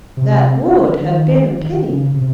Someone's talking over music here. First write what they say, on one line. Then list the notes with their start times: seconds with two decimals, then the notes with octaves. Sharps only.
That would have been a pity.
0.17 C3
0.68 D3
0.74 C#3
0.89 D3
1.02 D#3
1.59 D#3
1.73 D#3
1.88 C#3
2.16 C3